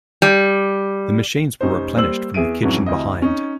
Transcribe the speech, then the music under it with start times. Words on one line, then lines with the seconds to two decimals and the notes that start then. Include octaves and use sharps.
The machines were replenished from the kitchen behind.
0.22 G3
1.61 F1 C#4 D#4 C5
1.96 G3 A#3 C5 E6 F#7
2.34 E2 G#4 E5 D7 D#7
2.63 F2 G#2 E3 F#3 C#4
2.86 D2 C3 E4 D#5
3.22 C#4 D#4